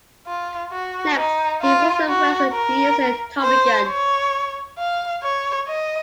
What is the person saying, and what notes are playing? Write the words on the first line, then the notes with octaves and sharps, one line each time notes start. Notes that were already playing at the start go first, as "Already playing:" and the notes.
Next he forces Wilson to use a Tommy gun.
F4
F#4
D#4
F4
F#4
A#4
C5
C#5
F5
C#5
D#5